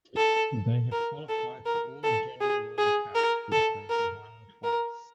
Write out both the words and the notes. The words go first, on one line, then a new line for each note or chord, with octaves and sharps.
They have qualified for all Junior World Cups which they have won twice.
A4
A#4
A4
A#4
A4
G#4
G#4
A#4
A4
A#4
A#4